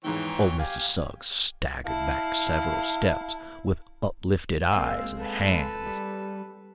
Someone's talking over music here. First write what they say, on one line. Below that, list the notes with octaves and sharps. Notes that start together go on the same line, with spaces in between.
Old Mr. Suggs staggered back several steps, with uplifted eyes and hands!
E2 G#2 D#3 E3 C#5 G5
G4 F5 G#5
E4 F5 A5
G#3 A#3 C4 F5 E6
A4 B4
G3